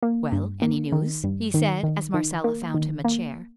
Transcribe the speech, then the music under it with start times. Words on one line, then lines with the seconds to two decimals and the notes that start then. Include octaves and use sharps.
"Well--any news?" he said, as Marcella found him a chair.
0.03 A#3
0.32 G2
0.62 A#3
0.92 D#3
1.24 G2
1.54 D#3
1.83 D#3
2.14 D#3
2.44 A#3
2.74 D#3
3.04 A#3